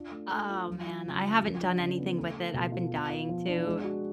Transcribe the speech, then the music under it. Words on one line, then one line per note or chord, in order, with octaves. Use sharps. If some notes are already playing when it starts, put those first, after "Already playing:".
oh, man, I haven't done anything with it. I've been dying to.
Already playing: D4 F4
A3
A3
F4
F#3
F4
C#3
C#4
F3
D4
C#3
B3
A3
A4
B2
F4
B3
F4
F3
D4
G#3
F#4